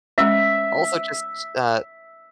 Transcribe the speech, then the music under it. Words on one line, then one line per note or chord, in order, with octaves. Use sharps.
also just, uh
G#3 C#4 E5